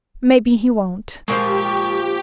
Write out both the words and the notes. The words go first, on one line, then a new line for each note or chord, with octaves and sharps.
Maybe he won't.
A#2 D3 F3 G#3 G4 A#4 C5 C#6